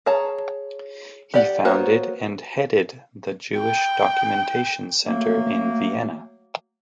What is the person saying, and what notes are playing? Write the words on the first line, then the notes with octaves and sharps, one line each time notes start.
He founded and headed the Jewish Documentation Center in Vienna.
G#4 C#5 A5 A#5
G4 D5 F#5
A#3 B3 F#4 C5 C#5
G5
F#3 A3 A#3